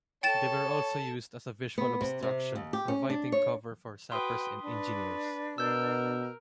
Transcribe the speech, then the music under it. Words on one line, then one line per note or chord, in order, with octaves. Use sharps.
They were also used as a visual obstruction, providing cover for sappers and engineers.
A4 C#5 G5 A5 A6 E7
B3
C3
C3
D#2
G4
C#4
D4
C#5
F#4 B4 G5 C6 D#6
D4 B4
B2 A#4 E6 G6